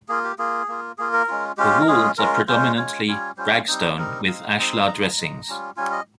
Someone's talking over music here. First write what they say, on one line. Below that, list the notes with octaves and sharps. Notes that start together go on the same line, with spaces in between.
The walls are predominantly rag-stone with ashlar dressings.
A#3 F4 G#4
G4
A#3 F4 G#4
A#3 F4
A#3 F4 G#4
A#4
G#3 C#4 F4
G#3 C#4 F4 G4
A#4
G#3 C#4 F4 G#4
G#3 C#4 F4 A#4
G#3 C#4 F4 C5
G#3 C#4 F4 C#5
G3 C#4 F4 C#5
G3 C#4 F4 C5
G3 C4 D#4 C5
G3 C4 D#4 A#4
G#3 C4 D#4 F5
G#3 C4 D#4 G5
C6
G#3 D#4 A#5
G#3 D#4
G3 C#4 F4
G3 C#4 F4 G#5
D#5